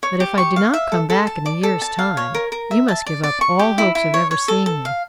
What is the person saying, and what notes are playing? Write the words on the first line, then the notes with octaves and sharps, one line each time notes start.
But if I do not come back in a year's time, you must give up all hopes of ever seeing me.'
C#5
G4
C#6
F5
E5
A4
A4
A5
D5
A4
A5
F5
C#5
A#4
A#4
E5
A5
D5
D5
C#6
G4
E4
E4
C#5
C#5
A4
A4
F5